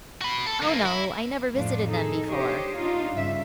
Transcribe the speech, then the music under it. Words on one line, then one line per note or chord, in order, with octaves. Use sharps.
"Oh, no. I never visited them before."
F#4 B5
A4
G2 A#3
E4
F2 A2 F3 D4 F4
D#4 G#4 A4
D4 G4 C5 C#5 D#5
D4 D#4 F4
G2 C#3 E5